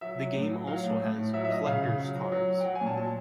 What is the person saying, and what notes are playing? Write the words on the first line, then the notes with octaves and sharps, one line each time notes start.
The game also has Collector's cars.
F#3 E5
F#3
A2
F#3
F#3 F5
A2
A2
A2
F#3 E5
E5
F#3 D#5
C#3 F5
C#3
F#3
F#3
F#3
F#3
G5
F#3 F#5
G#5
A#2
A5
F#3 A5